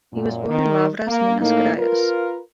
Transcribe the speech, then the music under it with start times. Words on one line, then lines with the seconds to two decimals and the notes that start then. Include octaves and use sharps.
He was born in Lavras, Minas Gerais.
0.13 F#2 A#2
0.49 D#3
1.07 A#3
1.41 A2 A#3 D#4
1.78 F4 A#4 B4